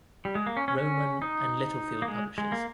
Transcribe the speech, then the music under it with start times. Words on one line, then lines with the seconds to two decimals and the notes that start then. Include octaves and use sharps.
Rowman and Littlefield Publishers.
0.25 G3
0.35 G#3
0.47 A#3
0.57 C#4
0.68 C#4
0.78 C#4
1.22 D#4
2.02 A#3
2.08 G#3
2.38 G#3
2.52 A#3